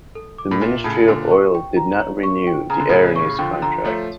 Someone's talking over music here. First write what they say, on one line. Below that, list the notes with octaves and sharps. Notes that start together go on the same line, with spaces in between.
The Ministry of Oil did not renew the Erinys contract.
A4
D6
A2
A#2 E5
A2 C#3 A5
A#2 D3 A4
C#6
G5
A#5
C#5
C#6
G5
C#3 A#5
D3
A2 C#3 C#5
C#6
D3 F3 G5
D3 F3 A#5
F3 A3 C#5